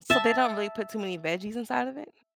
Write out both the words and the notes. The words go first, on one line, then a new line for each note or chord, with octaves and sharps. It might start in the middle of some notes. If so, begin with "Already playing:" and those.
So, they don't really put too many veggies inside of it?
E5 A5